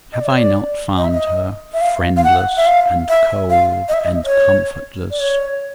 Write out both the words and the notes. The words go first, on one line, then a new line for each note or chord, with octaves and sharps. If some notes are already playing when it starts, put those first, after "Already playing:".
Have I not found her friendless, and cold, and comfortless?
D#5
D5
C#5
D5
D#5
E5
D#5
E5
F5
F5
F#5
E5
F5
E5
F5
D#5
E5
D#5
C#5
D5
C#5